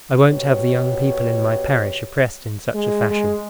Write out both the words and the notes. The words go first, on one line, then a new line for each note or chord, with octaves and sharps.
I won't have the young people in my parish oppressed in such a fashion.
B2 G4 C#5
G#3
G#3